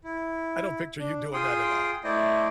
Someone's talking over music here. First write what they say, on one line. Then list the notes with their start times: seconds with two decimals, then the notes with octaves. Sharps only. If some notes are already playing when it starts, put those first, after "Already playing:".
I don't picture you doing that at all.
0.04 E4
0.99 D4
1.33 F4 G#4 G5 C6 D#6
2.04 A3 E4 C5 D5 D#5